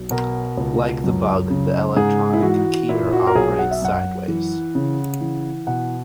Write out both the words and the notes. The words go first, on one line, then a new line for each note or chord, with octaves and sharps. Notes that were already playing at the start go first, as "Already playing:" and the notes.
Like the bug, the electronic keyer operates sideways.
Already playing: B1
B2 A#4
C#2
F#2
C#3
G#2 G#4
E4
E3 F#4
A#2 E4
F#4
A#4
B1 G#4
F#5
E5
F#2 F#5
E3
C#3
E3
B2 F#5